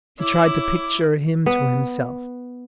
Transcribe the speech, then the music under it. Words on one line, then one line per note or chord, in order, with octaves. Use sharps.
He tried to picture him to himself.
E4 C#5 E5 D6
B3